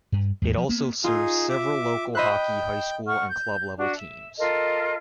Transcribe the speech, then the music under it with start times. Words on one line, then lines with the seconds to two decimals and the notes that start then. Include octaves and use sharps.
It also serves several local hockey high school and club level teams.
0.12 G2
0.42 D#2 G#2
0.57 F3
0.69 A#3 B3
1.04 D#4 F4 G#4
1.49 E5 D6
2.15 C5 D#5 E5 B5 F#6
2.29 G5
3.06 F#5 C#6 F6
3.28 G6
3.77 D4 F#4
3.97 E5
4.38 F4 A4 A#4 D#5